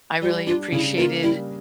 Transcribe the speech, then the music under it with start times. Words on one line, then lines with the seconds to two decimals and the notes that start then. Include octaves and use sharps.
I really appreciated,
0.22 G3 F4
0.47 D4 F4
0.72 C#3 E4
0.97 A#3 F4
1.23 G3 E4